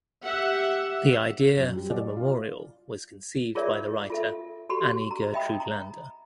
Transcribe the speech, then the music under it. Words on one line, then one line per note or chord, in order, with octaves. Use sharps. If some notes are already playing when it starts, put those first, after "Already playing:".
The idea for the memorial was conceived by the writer Annie Gertrude Landa.
G4 E5 F#5
F#2
G3
D5
F4
F4 G#4 A#4 C#5 D5 E5
F4 A4 E5
F#4 G4 A4 B5 C6
A#5
D#5 E5 G5 B5 D#6
A#5